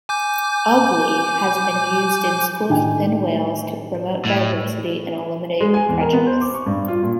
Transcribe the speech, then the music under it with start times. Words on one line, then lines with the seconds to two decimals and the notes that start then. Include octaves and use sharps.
"Ugly" has been used in schools within Wales to promote diversity and eliminate prejudice.
0.09 G#5 D6 G6
2.69 A2 D#3 D4 G5 G#5
4.25 A2
5.60 G#3
5.74 G#5
5.89 E2
6.01 A#4
6.13 B3
6.27 C5
6.41 D6
6.54 C#6
6.66 G2
6.88 F4
7.03 A#2